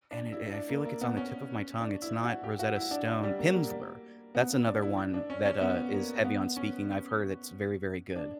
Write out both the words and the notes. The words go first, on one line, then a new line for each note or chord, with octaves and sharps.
and it I feel like it's on the tip of my tongue, it's not Rosetta Stone Pimsleur, that's another one that, uh, is heavy on speaking, I've heard it's very, very good.
D4
E4
D4
A#3
A#3
B3
C#4
D4
E4
F#4
G4
F#4
E4
D4
D4
G3
A#3
A#3
B3
B3
D4
E4
D4
D4
C#4
C#4
B3
A#3
B3
C#4
D4